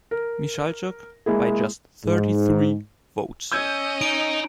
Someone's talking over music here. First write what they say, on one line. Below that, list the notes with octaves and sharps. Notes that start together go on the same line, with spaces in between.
Michalchuk by just thirty-three votes.
A#4
G#3 A#3 E4 G#4
G#2
C#4 D#5 E6 G6 G#6
D#4 D7